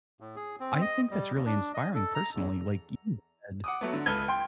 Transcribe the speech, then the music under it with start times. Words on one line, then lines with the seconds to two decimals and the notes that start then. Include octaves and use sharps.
I think that's really inspiring, personally, like, you had said
0.20 A2
0.36 G#4
0.60 C4
0.81 D#5
1.11 G3
1.34 D#2
1.46 D4
1.74 D#5
1.94 A4
2.15 A#5
2.35 E2
3.64 F#5 D6 D#6
3.81 F#3 A3 B3
3.93 D3
4.06 C#2 A4 B4 F6 G#6 G7
4.28 G5 C6